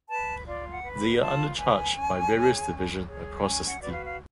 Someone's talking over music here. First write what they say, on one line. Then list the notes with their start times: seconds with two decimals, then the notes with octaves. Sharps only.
They are under charge by various division across the city.
0.09 B4 A5
0.46 F4 D5
0.71 F#5
0.83 B4
0.96 B5
1.20 F4 A5
1.57 B4 G#5
1.95 C#4
2.31 G#4 C#5
2.69 C#4
3.06 G#4 C#5
3.42 C#4 G#5
3.67 F#5
3.80 F#4 B4 D5
3.92 F5
4.06 F5